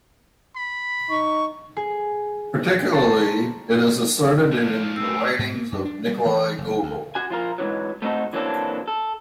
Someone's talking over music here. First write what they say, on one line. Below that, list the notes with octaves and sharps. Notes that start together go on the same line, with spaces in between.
Particularly, it is asserted in the writings of Nikolai Gogol.
B5
D#4 C#6
G#4
C5 A5 A#5 C6 C#6
F3 D4
A2 A3 C4 E6
G#2
A#3
F#2
D4
G3
E3
F#1
D2
F#4 G#5
F3 F4 A#4
G#2 C3 E3 F#3
A3 B3 C4 D#4 F#4 A4
E3 F#3 A#3 C4 D4 A4
A4